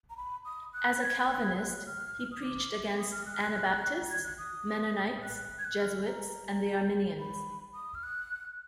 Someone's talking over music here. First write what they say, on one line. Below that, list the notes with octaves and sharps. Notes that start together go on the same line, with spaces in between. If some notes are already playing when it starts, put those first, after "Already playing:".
As a Calvinist, he preached against Anabaptists, Mennonites, Jesuits and the Arminians.
A#5
B5
D#6
F#6
G#6
F#6
G#6
F#6
F6
D#6
D6
D#6
F6
F#6
F6
F#6
G#6
F#6
D#6
F#6
G#6
F#6
F6
G#5
A#5
B5
D#6
F6
F#6